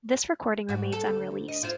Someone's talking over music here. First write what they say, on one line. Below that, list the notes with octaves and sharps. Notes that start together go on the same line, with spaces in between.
This recording remains unreleased.
G#2 F#4
A4
D2
D#5
E4 F4 C5